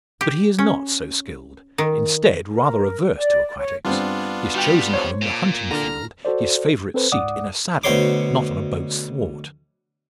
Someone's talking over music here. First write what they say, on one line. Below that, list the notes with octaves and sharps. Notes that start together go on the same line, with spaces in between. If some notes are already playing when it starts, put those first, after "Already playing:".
But he is not so skilled--instead, rather averse to aquatics--his chosen home the hunting field, his favourite seat in a saddle, not on a boat's thwart.
G4
C#4
D#3
A#4
D5
C#5
G2 B3 C4 D4 F4
G3 F#4 G5
C5 C#5
A#2
D3 A#5 F6
F#4 A4 C5 D5
C4 A4 B4 C5
C#2 G#2 D5 F#5 D6 D#6
D2 B2 C5 C#5 C6 D6